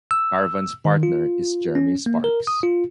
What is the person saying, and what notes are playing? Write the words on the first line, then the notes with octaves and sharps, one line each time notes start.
Karvan's partner is Jeremy Sparks.
E6
D#3
F4
C#4
A#3
A#4
D#6
F4